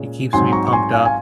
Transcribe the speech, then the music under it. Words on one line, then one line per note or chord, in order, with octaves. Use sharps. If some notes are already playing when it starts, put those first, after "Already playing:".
It keeps me pumped up,
Already playing: A#2 G#3 C#4
G#2 F#3 C4 G#5 C6
A#5 C#6
C#6
G#5 C6
F5 G#5
G#5